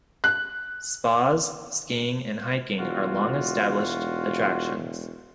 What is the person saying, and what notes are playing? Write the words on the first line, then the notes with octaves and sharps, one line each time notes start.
Spas, skiing, and hiking are long-established attractions.
F#6
E1 F4 F#4